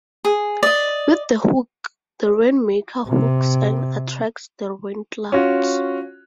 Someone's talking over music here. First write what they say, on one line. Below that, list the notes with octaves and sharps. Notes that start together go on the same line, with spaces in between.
With the hook, the rainmaker hooks and attracts the rainclouds.
G#4
D5 D#5
C3
C#4 F4 F#4